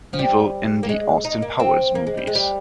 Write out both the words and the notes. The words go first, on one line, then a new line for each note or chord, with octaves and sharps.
Evil in the Austin Powers movies.
F3
G3
A#3
G#3
D#4
A#3
C4
A#3
G#3
G3
G#3
G3